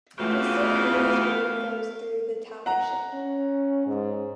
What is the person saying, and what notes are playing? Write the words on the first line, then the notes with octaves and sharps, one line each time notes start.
The Saint Louis River flows through the township.
C#3 E3 A3 B3 F4 F#4 F5 G5
F#5 A#5
C#4
G#2